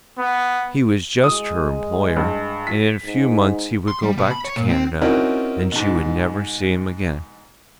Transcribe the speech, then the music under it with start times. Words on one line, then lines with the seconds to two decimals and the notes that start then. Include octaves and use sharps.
He was just her employer, and in a few months he would go back to Canada, and she would never see him again.
0.18 B3
1.24 G#3 D#6
2.16 G2
2.67 B6
3.04 G#2
3.88 C6
4.03 G3
4.17 B2
4.31 B5
4.45 C#5
4.56 A#2
4.69 C4
5.01 C4 C#4 D#4 E4 F#4 A#4
5.72 G#2 B2